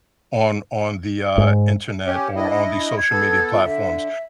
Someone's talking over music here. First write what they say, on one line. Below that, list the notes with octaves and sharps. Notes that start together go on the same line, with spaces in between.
on on the, uh, internet or on the social media platforms.
G#2
C#4 G4 C#5
D4 E4 D#5
G#6
B3 A4
F4
D3 E5